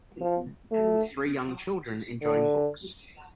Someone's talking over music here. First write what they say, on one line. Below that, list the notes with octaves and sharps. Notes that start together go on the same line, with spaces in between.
Three young children enjoying books.
F3
A3
D3